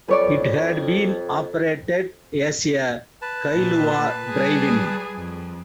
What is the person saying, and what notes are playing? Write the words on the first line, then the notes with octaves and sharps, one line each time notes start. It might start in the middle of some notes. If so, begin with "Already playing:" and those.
It had been operated as a Kailua drive-in.
F2 B4 C#5 D5
B4 A5
A#2
G3 G#4
F2